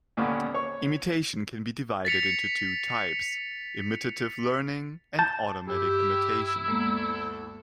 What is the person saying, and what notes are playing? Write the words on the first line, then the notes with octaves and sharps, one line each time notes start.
Imitation can be divided into two types: imitative learning and automatic imitation.
D#2 A#2 D3 B3 C#4
C#5 C#6
A6 B6 C#7 F7
A5 G6 A6
G2 E4 G4
D2 G#3 A#3 B3 A4